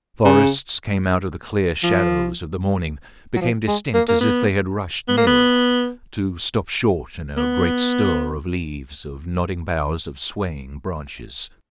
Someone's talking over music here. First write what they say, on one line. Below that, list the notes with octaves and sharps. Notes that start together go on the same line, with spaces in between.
The forests came out of the clear shadows of the morning, became distinct, as if they had rushed nearer--to stop short in a great stir of leaves, of nodding boughs, of swaying branches.
C#3
F3
F#3
F3
G#3
A#3
A#3
B3
B3
A#3
B3
B3